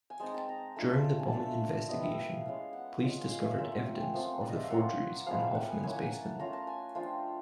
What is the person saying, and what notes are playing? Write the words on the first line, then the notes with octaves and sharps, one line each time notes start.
During the bombing investigation, police discovered evidence of the forgeries in Hofmann's basement.
G#5
G#3 C4 D#4 A5
A5
A#5
A3 D4 F4 A5
A5
G#5
A3 D4 F4 E5
G3 B3 E4 D#5
E5
F5
G#3 C#4 E4 F5
F#5
G#3 C#4 F4
F5
E5
A#3 C#4 F4 E5
F#5
G5
G#5
F3 A3 C4 F#5
D5
D#5
E5
F5
A#3 C#4 F4 F#5
F3 G#3 C4 E4 F5
E5
F#5
G#5
A#3 C#4 E4 G#5
G#5
A5
A3 C#4 F4 A#5
A5
G#5
F3 A3 D4 F4 G5